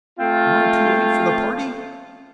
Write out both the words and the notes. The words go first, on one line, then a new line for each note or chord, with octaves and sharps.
"Am I too late for the party?"
A3 C4 F4